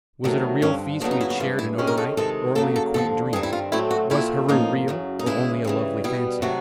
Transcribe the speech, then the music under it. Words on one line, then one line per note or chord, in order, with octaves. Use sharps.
Was it a real feast we had shared in overnight, or only a quaint dream? Was Heru real or only a lovely fancy?
D2 C3 D#3 F#3 A3
G2 D3 F3 C#4
D#2 C#3 F#3 B3 D4
D#4
E4
F#4
G2 E3 G#3 F4
E4
C3 D#3 G#3 C#4
A#4
A4
C3 D#3 G#3 A4
C#3 F#3 A#3 A4
A4
D#2 D3 F3 A4
G2 D#3 G3 C4 G#4
E4
F4
A2 F#3 A3 C4 E4
F#4
A#2 F3 A3 C4 E4
A2 F3 A#3 C#4 D#4
F#2 C#3 F#3
D#4
C#3 E3 G#3 E4
C#3 E3 G3
B2 G3 B3 E4
C3 D#3 F#3 A3 F#4